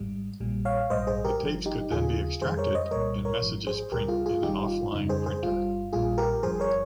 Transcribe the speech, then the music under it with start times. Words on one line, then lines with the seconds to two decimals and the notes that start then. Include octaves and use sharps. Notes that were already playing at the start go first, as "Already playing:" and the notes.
The tapes could then be extracted and messages print in an “off-line” printer.
Already playing: G#1 G#2 G3
0.40 A#1 A#2 G3
0.65 C#5 F5
0.90 A#1 G#2 G3 C5 D#5
1.07 G#4 C5
1.24 G4 A#4
1.41 G1 G2 F3
1.66 D#4 G4
1.91 D#2 C#3 F3 F4 G#4
2.41 F2 D#3 G3 G#4 C5
2.57 A#4 C#5
2.74 C5 D#5
2.91 C2 A#2 G3 A#4 C#5
3.25 A#4 C#5
3.42 G#1 G#2 F3
3.67 G#4 C5
3.92 C#2 C3 G3 G4 A#4
4.08 F4 G#4
4.26 F4 G#4
4.42 G1 G2 D#3 G3 D#4 G4
4.67 F4
4.92 F2 C#3 G3 D#4
5.09 G#4 C5
5.26 G#4 C5
5.43 G1 G2 G3 F4
5.93 A#1 A#2 G3 F4 G#4
6.18 G4 A#4
6.43 G1 G2 F3 G#4 C5
6.60 A#4 C#5